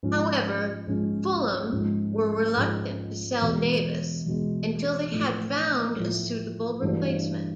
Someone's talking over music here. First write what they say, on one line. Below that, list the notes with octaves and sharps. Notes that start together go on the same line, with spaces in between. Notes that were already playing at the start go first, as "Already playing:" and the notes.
However, Fulham were reluctant to sell Davis until they had found a suitable replacement.
G#2 F3 G#3 C#4
G#2 F3 G#3 C#4
G#2 F3 G#3 C#4
G#2 F3 G#3 C#4
E2 B2 G#3
E2 B2 G#3
A2 F3 A3
A2 F3 A3
G2 E3 A3 D4 F#4